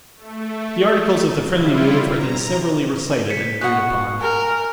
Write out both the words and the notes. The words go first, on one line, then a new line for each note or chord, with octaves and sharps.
The articles of the friendly move are then severally recited and agreed upon.
A3
G3 E4 F4
A#5
B6 C#7
B2 F#4 F#5 F#6
A#4 G#5